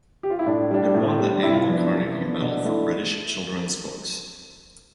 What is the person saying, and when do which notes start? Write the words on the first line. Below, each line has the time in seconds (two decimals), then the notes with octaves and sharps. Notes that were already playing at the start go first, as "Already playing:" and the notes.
It won the annual Carnegie Medal for British children's books.
0.23 G4
0.30 F4
0.39 E4
0.46 A2 D4
0.71 G3 D4
0.95 A2
1.19 G3 D4
1.43 C3 E4
1.53 F4
1.61 E4
1.68 F3 B3 D4
1.92 C3
2.17 F3 B3 D4
2.41 B2 D4
2.65 A3 D4 E4